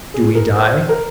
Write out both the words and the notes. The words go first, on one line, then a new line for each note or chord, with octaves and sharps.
Do we die?
G#4
A#4
C5
A#4